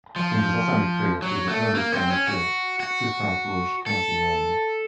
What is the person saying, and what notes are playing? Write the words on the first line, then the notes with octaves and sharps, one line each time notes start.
From the Sassanid period till the early Islamic period, Sistan flourished considerably.
F3
F#3
A3
A#3
C4
C#4
F#4
F#4
A4